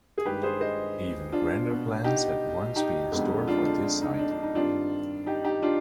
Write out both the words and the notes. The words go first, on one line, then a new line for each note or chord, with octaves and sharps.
Even grander plans had once been in store for this site.
G#4
G2 D#3 G#3 G4 B4
G#4 C5
C5 D#5
D4 F4
B2 B3
D#4 G4
D#4 G4
F2 D3 G#3 B3
D4 F4
D4
D4
D#4
D4
D4
D#4
G2 D#3 G3 C4 D4 F4
D#4 G4
D#4 G4
D4 F4